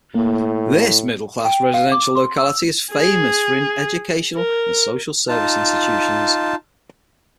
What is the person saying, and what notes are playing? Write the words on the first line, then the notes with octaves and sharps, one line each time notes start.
This middle class residential locality is famous for educational and social service institutions.
A2 A#3
G5
F5
D6
C6
E6
G#4
A#4
D#4 F4 A5